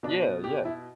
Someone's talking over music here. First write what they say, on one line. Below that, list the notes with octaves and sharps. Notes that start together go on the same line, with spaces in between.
Yeah, yeah.
B2 D4
G4
E4